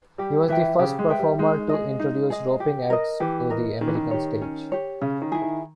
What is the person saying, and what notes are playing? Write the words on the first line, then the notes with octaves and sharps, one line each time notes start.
He was the first performer to introduce roping acts to the American stage.
G3 G4
E3 B4 E5 G5
C#3 G4
G#3
B4 E5 G5
G3
G#3 D#4
G#4 D#5
D#4
G#4 D#5
G4
A#4 D#5
E3 G4
A#4 D#5
D#3 C#4
E3
D#3
G4 C#5
C#4
G4 C#5
C#3 C#4
D#3
E4 G#4
D#3